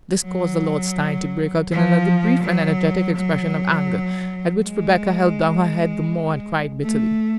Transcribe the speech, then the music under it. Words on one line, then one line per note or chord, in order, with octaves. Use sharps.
This caused the Lord Steyne to break out in another brief and energetic expression of anger, at which Rebecca held down her head the more and cried bitterly.
F#3
F3
F#3
F#3
G#3
A3